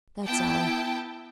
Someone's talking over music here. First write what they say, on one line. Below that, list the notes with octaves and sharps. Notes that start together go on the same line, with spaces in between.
That's all.
B3 E4 G5 A5